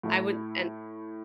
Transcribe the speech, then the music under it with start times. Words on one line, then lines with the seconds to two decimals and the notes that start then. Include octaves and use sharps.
I wouldn't an
0.03 A2 A3 E4